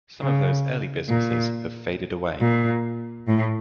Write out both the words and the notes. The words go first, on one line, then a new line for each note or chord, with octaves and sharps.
Some of those early businesses have faded away.
C#3
A#2
A#2
A2